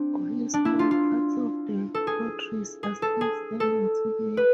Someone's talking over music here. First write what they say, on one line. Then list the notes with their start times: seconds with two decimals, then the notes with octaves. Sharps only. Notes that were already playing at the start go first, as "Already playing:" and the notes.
Only small parts of the fortress are still standing today.
Already playing: C4 D4
0.54 D4
0.65 E4
0.79 F4
0.91 F4
1.94 A4
2.07 G#4
2.83 G#4
3.02 A4
3.21 G#4
3.60 A4
4.37 B4